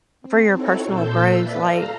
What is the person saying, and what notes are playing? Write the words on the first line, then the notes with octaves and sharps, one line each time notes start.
for your personal growth, like
C4
C4 D#4 E4 F#4 A4 C#5
A#2 A4 C5 E6 G6
F4 B4 D5 E5
A4 F5 A#5